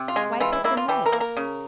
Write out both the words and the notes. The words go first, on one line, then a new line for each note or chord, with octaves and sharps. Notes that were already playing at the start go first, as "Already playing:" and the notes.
Why put them right?
Already playing: C3
F4
G#3
E3 F4
E4
A#3 E4
F4
E3 G4
A#4
A#3
A#4
C#3